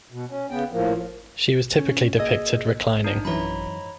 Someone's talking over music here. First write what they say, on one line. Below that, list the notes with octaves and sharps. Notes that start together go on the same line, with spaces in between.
She was typically depicted reclining.
B2
C#4
C#3 B3 G5
A2 F3 A#3
C#4
A#3 G#4 D#5 E6 G#6
G#2 D4 D#4
F#2 E3 C#5 A#5 B5